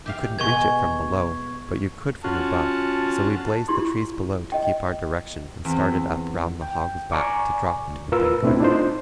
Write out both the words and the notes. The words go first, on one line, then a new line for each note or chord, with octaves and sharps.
You couldn't reach it from below, but you could from above, so we blazed the trees below to keep our direction and started up round the hog's back to drop to the bank under.
G4 E5 F5
B2 G#3 B3 C#6 G#6
C#4 F4 F#4 A5
E4 F4 G4 C6 C#6
D#5 G5
E2 C4
G5
D5 G#5 A#5 C#6 D6
D2
A2 F4 A#4 B4 E6
B2 A3 C4 D4 E4
D4 D#4 F4 C5